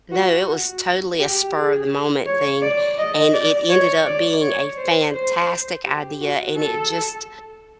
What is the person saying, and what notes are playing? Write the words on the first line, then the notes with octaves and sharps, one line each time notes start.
No, it was totally a spur of the moment thing, and it ended up being a fantastic idea and it just
F#4
F#4
G4
G#4
C#5
D5
D#5
D5
C#5
D5
C#5
C5
C5
G4
F#4
A4